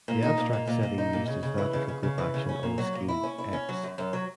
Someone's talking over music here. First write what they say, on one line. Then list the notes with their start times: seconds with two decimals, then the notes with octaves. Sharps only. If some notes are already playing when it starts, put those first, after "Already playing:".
The abstract setting used is that of a group action on a scheme "X".
0.08 A#2
0.22 D#4
0.38 A#2
0.53 A#2
0.67 A#2
0.83 A#2
0.98 D#4
1.13 A#2
1.28 C#3
1.43 C#3
1.58 E3
1.73 C#3
1.88 C#3
2.03 C#3
2.18 E3
2.34 C#3
2.49 C#4
2.63 A#2
2.78 F#3
2.93 A#2
3.08 E4
3.23 C#4
3.38 E4
3.53 C#4
3.69 F#3
3.83 F#2
3.98 F#2
4.13 F#3